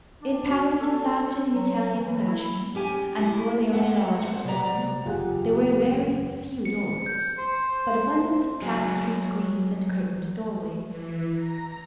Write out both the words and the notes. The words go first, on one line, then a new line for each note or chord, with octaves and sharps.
In palaces after the Italian fashion, and Corleone Lodge was one, there were very few doors, but abundance of tapestry screens and curtained doorways.
D4
F#4
A4
F#3
E3
E4
C#4 G4 G#5
E4
A#3 C4 A4 E5 F#5
G2 G#3 C5 F#5
C3 F#3 B3 C#5 D5 A#5
F#1 E2 F4 G4 G#4 F#5
C#7
G6
C5
F#3 G#4
E3
A#5